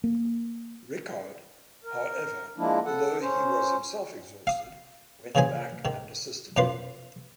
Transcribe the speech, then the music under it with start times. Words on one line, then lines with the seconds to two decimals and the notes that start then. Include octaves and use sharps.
Rickard, however, although he was himself exhausted, went back and assisted him.
0.04 A#3
1.84 A#4
2.58 F3 G#3 A#3 D4 E4
2.85 A4 F#5
3.21 C#4 C5
4.47 F5 D#6
5.35 A#2 C#3 E3 F3 G#4 G#5
5.85 G#2 D#3
6.57 F#2 B2 F3 F4 B4 C6